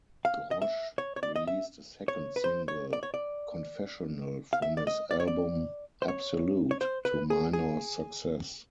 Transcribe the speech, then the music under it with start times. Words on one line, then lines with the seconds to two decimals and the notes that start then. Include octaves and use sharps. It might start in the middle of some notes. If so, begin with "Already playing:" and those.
Grosch released a second single "Confessional" from his album "Absolute" to minor success.
0.25 F5
0.51 D#5
0.62 E5
0.98 C#5
1.16 C#5
1.23 D5
1.36 D#5
1.47 E5
2.08 C#5
2.36 B4
2.44 C5
2.68 C#5
2.93 D5
3.03 C#5
3.14 D5
4.53 F5
4.62 E5
4.77 D5
4.87 D#5
5.11 D5
5.20 C#5
5.28 D5
6.02 C5
6.08 C#5
6.71 C#5
6.81 C5
7.05 B4
7.30 G#4
7.53 G#4